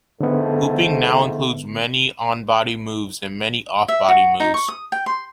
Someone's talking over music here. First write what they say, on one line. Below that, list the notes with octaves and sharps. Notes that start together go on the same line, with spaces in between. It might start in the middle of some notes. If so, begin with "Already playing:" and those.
Hooping now includes many 'on body' moves and many 'off body' moves.
F2 G#2 D3 A3 B3
E5
F#4
D#4
C#6
D#6
G5
C6